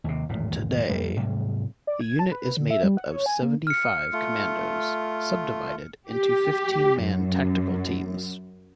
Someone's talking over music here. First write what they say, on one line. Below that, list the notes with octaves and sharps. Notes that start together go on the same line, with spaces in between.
Today, the unit is made up of seventy-five commandos, subdivided into fifteen-man tactical teams.
D#2 C3
D1 G#1 E2 A#2
F2 G3 A#3
G#2 C3 F#3 G3
D5
G#6
A5
B4
D3
E5
G3
F#5
C#5
G#5
A#3
F6 C#7
A3 F4
G4
F#2